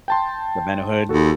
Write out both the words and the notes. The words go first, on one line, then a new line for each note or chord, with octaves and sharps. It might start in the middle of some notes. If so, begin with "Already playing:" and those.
The Vent-A-Hood?
G5 A5 C6
D#2 F#4 A4